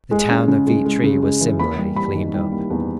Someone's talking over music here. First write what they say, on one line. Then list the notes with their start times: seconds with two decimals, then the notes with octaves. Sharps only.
The town of Vietri was similarly cleaned up.
0.11 G#3
0.30 C#4
0.48 C#3
0.67 G#3
0.85 G#3
1.04 C#3
1.22 G#3
1.41 E3
1.60 A#3 B5
1.78 G3
1.96 G3 B5
2.15 D#3
2.33 G3
2.52 A#3
2.70 E2